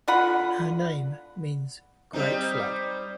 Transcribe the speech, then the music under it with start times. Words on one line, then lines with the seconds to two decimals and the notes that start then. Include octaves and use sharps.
Her name means "Great Flood".
0.08 D3 F4 F#5 B5
2.13 G3 C4 D#4